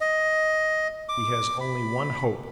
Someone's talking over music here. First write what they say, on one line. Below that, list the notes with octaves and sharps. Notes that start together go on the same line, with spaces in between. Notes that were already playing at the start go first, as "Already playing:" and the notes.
He has only one hope.
D#5
D6
B5